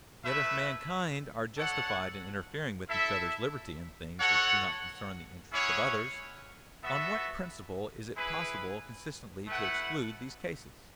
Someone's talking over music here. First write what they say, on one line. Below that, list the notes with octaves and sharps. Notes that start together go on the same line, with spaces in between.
Yet, if mankind are justified in interfering with each other's liberty in things which do not concern the interests of others, on what principle is it possible consistently to exclude these cases?
A3 E4 B4 E5
D4 A4 C#5 F#5
E4 A4 E5
F#4 A4 C#5 F#5
C#4 E4 G#4 C#5 F#5
B3 F#4 A4 E5
E4 G#4 B4
A3 E4 B4 F#5